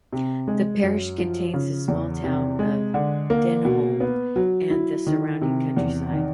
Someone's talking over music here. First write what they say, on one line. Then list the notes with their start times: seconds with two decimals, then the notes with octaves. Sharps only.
The parish contains the small town of Denholme and the surrounding countryside.
0.13 C3
0.48 G#3
0.83 F#2
1.18 F3
1.54 C#3
1.88 E2
2.24 C3
2.59 G#3
2.94 D3
3.30 A#3
3.65 B2
4.00 B3
4.36 F#3
4.70 E4
5.07 D#3
5.42 C3
5.77 E2
6.12 D#3